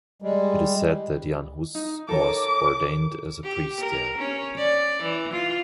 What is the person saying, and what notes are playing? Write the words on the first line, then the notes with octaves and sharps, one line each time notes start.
It is said that Jan Hus was ordained as a priest there.
G3 G#3
D#4
A4 A#4 C#5 D6
G4
A#4
C#4
D5
E3
F4